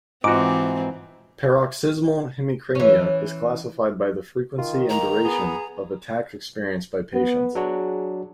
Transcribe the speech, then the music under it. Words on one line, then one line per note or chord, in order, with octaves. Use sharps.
Paroxysmal hemicrania is classified by the frequency and duration of attacks experienced by patients.
G#2 E3 C4 F4 F#4 D#5 D6
E3 C#4
D#3 F4
A#3 A#5
B3 G#4
B3
F#3 D4 F#4 G#4